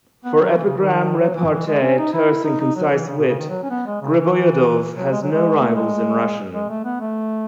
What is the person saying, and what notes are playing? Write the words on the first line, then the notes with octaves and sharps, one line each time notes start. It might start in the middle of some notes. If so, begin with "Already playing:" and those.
For epigram, repartee, terse and concise wit, Griboyedov has no rivals in Russian.
B3
F#3
E3
C#3
D#3
F#3
E3
E3
G#3
C#4
D#4
E4
D#4
D#4
F#3
E3
C#3
B2
C#3
D#3
F#3
C#4
B3
G#3
C#3
E3
F#3
G#3
F#3
G#3
A3
G#3
G#3
A3
B3
A3